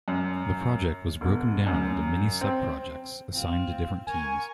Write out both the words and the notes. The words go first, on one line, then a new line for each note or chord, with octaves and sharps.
The project was broken down into many subprojects assigned to different teams.
F#2
E1
F#2
C4
C4 F4
A#4 G#5 C#6